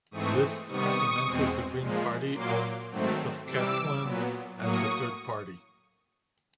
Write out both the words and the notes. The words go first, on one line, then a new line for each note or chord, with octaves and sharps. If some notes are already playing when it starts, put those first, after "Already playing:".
This cemented the Green Party of Saskatchewan as the Third Party.
G#2 E3 A3 C4 C#6 D#6
C3 D#3 G3 B3 C#6 D#6
E2 B2 G#3 C4
A#2 F3 G#3
A#2 F#3 A#3 C6 D6
G#2 D#3 F#3 A3 C4
C3 E3 G3 D6 E6
A#2 F#3 B3
A2 F#3 A#3 C#6 D#6